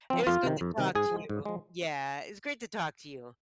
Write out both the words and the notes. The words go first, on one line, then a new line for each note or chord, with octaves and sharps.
it was good to talk to you, yeah, it's great to talk to you.
F3 C4
F2 F4
C3 D#3
F2
C3 D#3
G#2 G#4
F3 G#3
G#2
F3 G#3